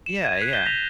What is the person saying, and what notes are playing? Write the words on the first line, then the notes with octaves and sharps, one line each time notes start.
Yeah, yeah.
E7
G#6 D#7
F#6 B6 C7
G6 G7
A#6 B6 F7